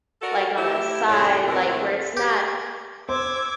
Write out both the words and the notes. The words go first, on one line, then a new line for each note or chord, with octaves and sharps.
like, on a side like, where it's not
F#4 A4 A#4 D5 F#5
A3 E4 G4
F2 A2 C#3 A4 D5
D#2 A2 E3 C4 A#4
G4
C5 D6 E6 G#6